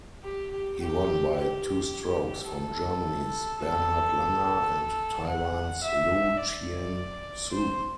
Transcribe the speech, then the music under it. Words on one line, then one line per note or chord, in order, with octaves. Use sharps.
He won by two strokes from Germany's Bernhard Langer and Taiwan's Lu Chien-soon.
G4
G4
G4
G4
A4
A4
F#5
E5
D5
C5